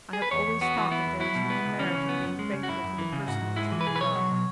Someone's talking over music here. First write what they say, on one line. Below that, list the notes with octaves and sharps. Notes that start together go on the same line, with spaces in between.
I have always thought that there is no merit in being faithful to the person we truly love.
G#4
B4
E2 C#5
E2
B3 F#4
E3
B3 E4
E2
F#3 E4
B2
B3
C#2
E3 C#4
C#3
B3
F#2
G#3
C#3
F#4
F#2 E4
F#2
E3
C#3
G#2 F#4
G#2
G#3 E4
E3
B4
B1 G#4
B4
B1 C#5
F#3
B2